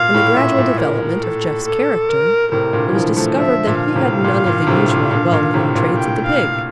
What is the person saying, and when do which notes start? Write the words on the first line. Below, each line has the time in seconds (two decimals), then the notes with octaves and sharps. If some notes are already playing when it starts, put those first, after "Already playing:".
In the gradual development of "Jeff's" character, it was discovered that he had none of the usual well-known traits of the pig.
Already playing: A#2 F5
0.14 A2
0.36 A#2 E5
0.58 A#2
0.80 A#4
1.23 A4
1.66 A4
2.09 A#4
2.52 A2 C3 A#4
2.73 A#2 D3
2.89 E3
2.95 D3 F3
3.16 F3 A3
3.37 D3 F3 E5
3.67 A#2 D3
3.81 F5
3.96 A2 C3
4.24 A#2
4.46 A#2
4.64 D3
4.67 A2 C3
4.89 A#2
5.11 A#2 D3
5.33 A#2 D3
5.54 A2 C3
5.75 A#2
5.97 G5
6.25 F5